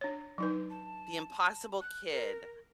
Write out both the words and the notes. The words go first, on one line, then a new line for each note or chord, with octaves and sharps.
The Impossible Kid.
D4 C#5
F#3 D#4 B4
A5
F#6
A#4